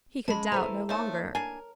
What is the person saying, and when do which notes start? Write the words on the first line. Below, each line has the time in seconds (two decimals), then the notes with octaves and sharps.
He could doubt no longer.
0.28 G#3 C#4 A5 B5
0.52 E3 A3 G#4 C5 A#5
0.89 F3 A3 A#3 D#4 C#5 A5
1.35 D4 A#4 G#5